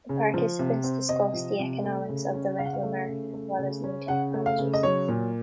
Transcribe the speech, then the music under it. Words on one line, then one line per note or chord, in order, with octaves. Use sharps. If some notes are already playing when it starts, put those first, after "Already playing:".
The participants discuss the economics of the metal market as well as new technologies.
C#3
F3
C3
C4
C3 D#5
F3
C3
A3
C#3
C#4
C#3 F5
F#5
F5
A3
C#3
A3
C#3
C#4
C#3 F#5
A3
F5
C#3
D#5
F#3 C#5
A#2